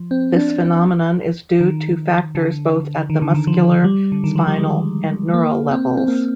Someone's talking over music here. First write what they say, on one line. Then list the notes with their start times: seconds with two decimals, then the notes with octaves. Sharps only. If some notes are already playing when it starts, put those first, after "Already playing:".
This phenomenon is due to factors both at the muscular, spinal and neural levels.
Already playing: F3
0.11 C4
0.36 D4
0.61 C4
1.61 D#3
2.35 D3
3.10 D#3
3.22 D3
3.34 D#3
3.47 F3
3.84 G3
4.12 D3
4.24 D#3
4.36 F3
4.47 G3
4.59 G#3
5.34 A#3
5.71 C4
5.97 C4
6.08 A#3